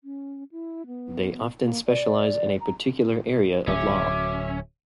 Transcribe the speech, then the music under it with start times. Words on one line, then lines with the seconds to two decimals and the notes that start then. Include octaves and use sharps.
They often specialise in a particular area of law.
0.04 C#4
0.52 E4
0.87 B3
1.60 A#3
1.88 D5
2.61 A#5
3.67 D1 F#3 C#4 E5 D6